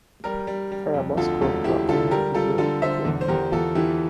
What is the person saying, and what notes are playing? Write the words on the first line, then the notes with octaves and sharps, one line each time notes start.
Ferrabosco brought the madrigal to England.
G3 G4 A#4
G3
G3
F2
D2 F4 A4
E1 F4 A4
E1 E4 G4
D3 F4 A4
G3 G4 A#4
G3 F4 A4
D3 F4 A4
D3 C5 E5
E2
C5
E2 G4 A#4
E2 F4 A4
E3 E4 G4